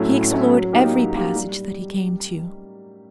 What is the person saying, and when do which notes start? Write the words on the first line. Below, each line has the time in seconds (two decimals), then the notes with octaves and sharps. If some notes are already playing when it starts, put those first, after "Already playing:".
He explored every passage that he came to.
Already playing: A2 F#3 A3 C#4 E4
0.10 A2
0.31 F#3 A3 C#4 E4
0.51 F#3
0.72 A#3 D#4 G4 A#4
0.94 F#3
1.15 A#3 D#4 G4 A#4
1.35 G3